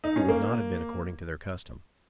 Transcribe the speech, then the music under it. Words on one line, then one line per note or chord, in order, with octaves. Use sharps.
It would not have been according to their custom.
D#4
C#4
A#3